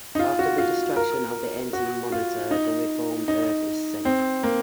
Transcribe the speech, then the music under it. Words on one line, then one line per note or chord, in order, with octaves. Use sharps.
After the destruction of the Anti-Monitor, the reformed earth is safe.
D#4
F4
F#4
F4
A#4
F#4
F4
D#4
D#4
C4
A#3